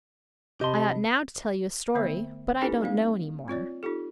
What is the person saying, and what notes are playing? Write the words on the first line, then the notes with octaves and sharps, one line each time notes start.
"I ought now to tell you a story; but I don't know any more."
C3 G4 D#5 A5 B5 C6
D3 A3 B3 C5 E5
C#4 D#4 E4 G4 A4 B4
G3 A#3 C4 D#4 F5
C4 F4 C#5 D5
D#4 F4 G4 A4